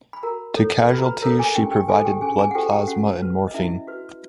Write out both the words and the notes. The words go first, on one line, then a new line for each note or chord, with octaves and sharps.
To casualties she provided blood plasma and morphine.
B5
F#4 A#4 A#5
A4 C#5
F#4 B4 B5
A#5
B4 B5
A4 A#4 C#5 A#5
G#4 G#5
C#4 G4 G5
G4 G5
F4 G#4 A4 C5 G#5
G4 G5
C#4 G#4 G#5
G#4 G#5
F#5
F4 G4 A4 C5 G5
G4 G5
C#4 F#4 F#5
F#4 B4
D#5
C#4 E4 E5
F#4 B4